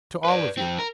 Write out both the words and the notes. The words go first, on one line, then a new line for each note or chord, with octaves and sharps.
To all of you.
B4 D5
F2 C4
A#4